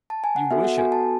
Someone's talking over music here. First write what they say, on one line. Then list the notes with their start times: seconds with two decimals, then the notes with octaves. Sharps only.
You wish it.
0.10 A5
0.24 G#5
0.36 F#5
0.51 B3 F#4 A4 E5
0.64 F#5
0.78 B3 F#4 A4 G#5
0.92 A5